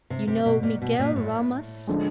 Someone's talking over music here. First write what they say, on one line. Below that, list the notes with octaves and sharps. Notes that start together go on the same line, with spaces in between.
You know Miguel Ramas?
C3
C3
B2
A#2
B2
A#2
A2
D3 F3 G#3